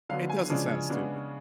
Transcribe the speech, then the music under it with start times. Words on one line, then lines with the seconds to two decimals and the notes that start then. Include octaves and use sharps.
It doesn't sound stupid.
0.09 D3 F#3 B3 F5
0.30 G#5
0.50 C#3 F3 G#3 D4
0.89 C#3 G#3 B3 D4